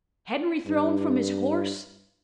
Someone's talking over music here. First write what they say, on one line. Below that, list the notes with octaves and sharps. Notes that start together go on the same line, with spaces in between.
Henry thrown from his horse?
G2